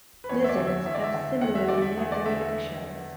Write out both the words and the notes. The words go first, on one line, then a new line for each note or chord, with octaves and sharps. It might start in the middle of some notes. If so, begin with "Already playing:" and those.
Lizards have similarly leathery eggshells.
B4
E2 C#5
E5
D5
D3
E5
E2 E5
D5
E5
D3
E2 F#5
E5
D3 D5
E5
E2
D5
D3 E5